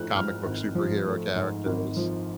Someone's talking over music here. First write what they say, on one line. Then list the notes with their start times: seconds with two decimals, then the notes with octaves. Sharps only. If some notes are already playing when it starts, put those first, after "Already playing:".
comic book superhero characters.
Already playing: G#2 F3 A3 F#6 G6
0.15 G#2 F6
0.45 G#1
0.75 F3
1.06 A3
1.36 G#2
1.66 G#1
1.97 F3